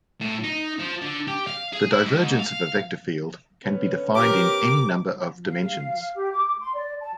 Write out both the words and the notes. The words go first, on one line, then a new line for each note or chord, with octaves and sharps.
The divergence of a vector field can be defined in any number of dimensions.
A2
D#4
F3
D3
G4
F5
G#4
E4
G#2
F5
D3 B3 C#4
G4 A#4 D6
F5
G4
D6
C6
D5
A5